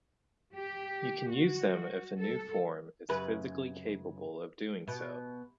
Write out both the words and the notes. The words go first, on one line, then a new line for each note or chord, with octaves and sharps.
You can use them if the new form is physically capable of doing so.
G4
F#4
A4
F#2 C#3 B4
B2